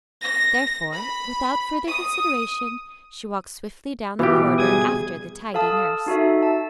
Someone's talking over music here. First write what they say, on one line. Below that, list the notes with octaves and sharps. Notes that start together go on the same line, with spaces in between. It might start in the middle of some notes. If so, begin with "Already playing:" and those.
Therefore, without further consideration, she walked swiftly down the corridor after the tidy nurse.
A#6
B5
D#6
B2 E3 B3 F4 G4
G3 G#4 D#6 G#6
A4 F5 A5 D#6
D#4 F#4 A4 E5
A5